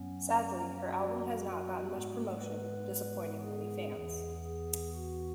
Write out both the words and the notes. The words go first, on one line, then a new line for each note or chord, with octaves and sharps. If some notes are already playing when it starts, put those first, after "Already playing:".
Sadly, her album has not gotten much promotion, disappointing many fans.
Already playing: F#2 F#3 B3 C#4
F#4
G#2 G#3 B3
B4
G#4
E2 E3 B3
G#4
F#4